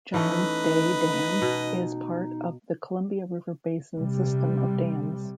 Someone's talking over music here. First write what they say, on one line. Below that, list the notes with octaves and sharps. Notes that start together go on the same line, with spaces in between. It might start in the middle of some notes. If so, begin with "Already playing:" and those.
John Day Dam is part of the Columbia River Basin system of dams.
E3 A3 C#4 D#4 B4 D#5
B2
C3 G3